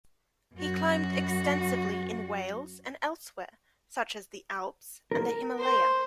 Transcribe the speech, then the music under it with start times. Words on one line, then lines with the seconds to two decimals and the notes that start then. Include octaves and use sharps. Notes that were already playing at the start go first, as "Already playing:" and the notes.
He climbed extensively in Wales and elsewhere, such as the Alps and the Himalaya.
0.54 F#2 F#4
5.11 A#4
5.58 C5